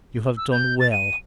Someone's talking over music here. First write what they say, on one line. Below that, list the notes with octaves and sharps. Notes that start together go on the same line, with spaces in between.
You have done well!
E6
G6
A6
D#7